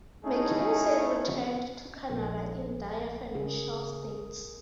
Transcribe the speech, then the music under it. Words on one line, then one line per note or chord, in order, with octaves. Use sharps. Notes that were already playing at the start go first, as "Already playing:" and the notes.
Mackenzie returned to Canada in dire financial states.
A3 C#4 D#4 E4 G#4 A4
A#1 D3 A4
C#3 G#4 A#4